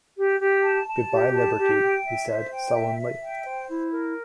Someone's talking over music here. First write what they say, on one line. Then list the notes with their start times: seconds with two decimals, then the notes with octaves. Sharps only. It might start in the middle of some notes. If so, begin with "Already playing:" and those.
"Good-bye, liberty," he said sullenly.
0.17 G4
0.40 G4
0.63 A5
0.87 A5
1.11 G4
1.34 A5
1.58 G4
1.81 G5
2.05 E5
2.29 C5
2.51 G5
2.74 E5
2.99 E5
3.22 G5
3.45 C5
3.69 E4
3.92 A#4